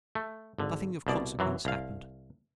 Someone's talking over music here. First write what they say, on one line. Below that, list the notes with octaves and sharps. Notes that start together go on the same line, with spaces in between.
Nothing of consequence hapened.
A3
G#1 D3
C2 B2 D5
F#2 E3 F#3
C2 F5